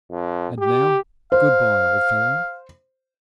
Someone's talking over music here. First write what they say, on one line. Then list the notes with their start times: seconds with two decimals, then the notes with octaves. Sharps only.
And now, good-bye, old fellow.
0.11 F2
0.58 G4
1.32 C5 F5